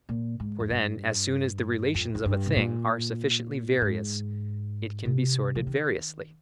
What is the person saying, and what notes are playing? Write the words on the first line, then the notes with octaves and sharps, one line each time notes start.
For then, as soon as the relations of a thing are sufficiently various it can be sorted variously.
A#2
G#2
F2
G2
F2
F2
G2
C3
A#2
G#2
C3
F3
D#3